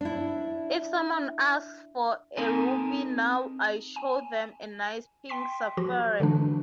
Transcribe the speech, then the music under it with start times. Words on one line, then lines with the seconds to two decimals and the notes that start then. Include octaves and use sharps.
If someone asks for a ruby now I show them a nice pink sapphire.
0.01 D4 E4
2.37 C4 D#4 A4 A#4 G#5
3.96 G#5
5.29 G5 C6 B6
5.77 F3 F#4
6.20 D3 E3 G#3 D4